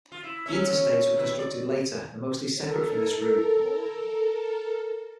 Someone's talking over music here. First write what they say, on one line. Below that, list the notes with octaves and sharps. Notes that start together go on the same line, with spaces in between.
The Interstates were constructed later and are mostly separate from this route.
F4
E4
F#3 C#4 E5
G2 E4
D5
A4 A#4